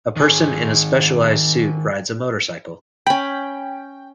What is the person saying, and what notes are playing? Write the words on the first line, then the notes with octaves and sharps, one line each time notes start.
A person in a specialized suit rides a motorcycle.
D#3 G#4
C#4 G5 B5